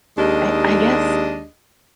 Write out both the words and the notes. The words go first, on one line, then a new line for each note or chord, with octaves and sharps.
I I guess,
D#2 G#3 D4 G4 D#5